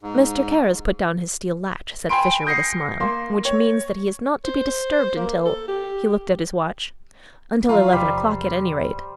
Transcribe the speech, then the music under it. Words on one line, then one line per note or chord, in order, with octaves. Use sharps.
"Mr. Kara's put down his steel latch," said Fisher with a smile, "which means that he is not to be disturbed until--" he looked at his watch, "until eleven o'clock at any rate."
G#2
G5 G#5 B5 C6 D7
D#6 G6 A#6 C7 C#7
A#3 C6
C#5
C5
A#3
A4
G4
F3 G#3 F4 A#5 B5
E2 C3 F3 G3 C5 B6